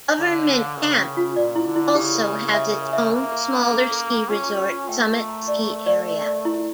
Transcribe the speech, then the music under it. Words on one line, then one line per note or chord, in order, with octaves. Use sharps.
Government Camp also has its own, smaller ski resort, Summit Ski Area.
D3 C#5
C#5
F5
C#3 A#4
C#4
F4
A#2 D5
E4
D3
E4
C#3 G4
A#4
C#5
E5
A#4
E5
A#3 A#4
A#4
C#4
A4
A4
G5
C#4 F4
A4
F4
A3 G5
A#4
A#5
D5
A#4
D5
A#4
D5
E4